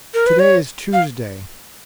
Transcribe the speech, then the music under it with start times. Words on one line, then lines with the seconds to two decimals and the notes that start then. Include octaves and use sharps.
To-day is Tuesday.
0.14 A#4
0.26 B4
0.39 C#5
0.93 F5